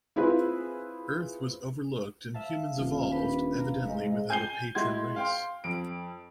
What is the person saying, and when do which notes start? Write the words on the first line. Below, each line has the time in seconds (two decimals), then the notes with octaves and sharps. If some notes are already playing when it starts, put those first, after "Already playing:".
Earth was overlooked and humans evolved, evidently without a patron race.
0.16 C4 E4 F4 G#4 B4
2.34 E5 F5 A5
2.77 D#1 F5
3.12 D4 G4 B4
3.58 F5 A#5
3.86 C3 G#3 D#5
4.30 G#5 G6 C7 G7
4.75 G#3 E4 F#4 C6 G#6
5.16 F5 G5 C6
5.64 F2 D7